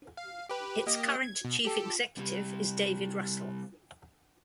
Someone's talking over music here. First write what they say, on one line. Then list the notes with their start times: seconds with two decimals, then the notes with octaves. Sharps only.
Its current Chief Executive is David Russell.
0.17 F5
0.49 G4 B4
0.86 A#3 G4 D#5
1.23 G#6
1.45 B2
1.65 G4 A4
2.18 C3 G3